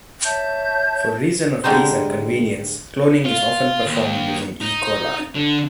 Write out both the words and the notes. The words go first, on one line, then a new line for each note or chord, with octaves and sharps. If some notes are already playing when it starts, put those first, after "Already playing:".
For reason of ease and convenience, cloning is often performed using "E. coli".
C#5 E5 A5 G6
D3 G3 G#3 D#4 C5
F4
D#2
D#4
D3